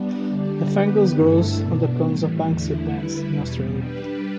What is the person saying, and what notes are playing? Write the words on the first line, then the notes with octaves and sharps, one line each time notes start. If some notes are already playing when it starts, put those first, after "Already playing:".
The fungus grows on the cones of "Banksia" plants in Australia.
Already playing: G3 B3 D4
D3 G3 D4 G4
D3 B3 G4 B4
G2 D3 A3 E4 A4
B2 B3 D4
A2 E3 G3
E2 D3 A3 E4
D3 G3 E4 B4
E2 B2 G3
G3 D4 G4 B4